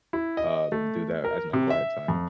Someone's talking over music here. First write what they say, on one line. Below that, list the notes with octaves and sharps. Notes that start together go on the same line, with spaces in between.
um, do that as my quiet time,
E4
D#5
A3
A#4
C3
E5
F2